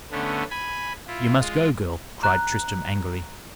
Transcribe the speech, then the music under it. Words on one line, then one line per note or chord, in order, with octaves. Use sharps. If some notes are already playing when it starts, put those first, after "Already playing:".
"You must go, girl," cried Tristram angrily.
D3 A3 B3 C#4
G#5 B5
E4 F4
G#3 F4
A#5 F#6